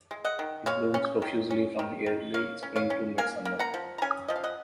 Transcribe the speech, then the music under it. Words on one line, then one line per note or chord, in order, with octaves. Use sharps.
It blooms profusely from early spring to mid summer.
G#3
D#5 F#5
D#3
G#3 C#5 F5
C#4
D#3
C#4
D#3
D#3
A#3 C#5 F5
C#4
C#5 F5
C#4
A#3 F5 G#5
A#3
F#5 A#5
F3
A#5
C#4 F5 G#5
F3 D#5
F5
D#5 F#5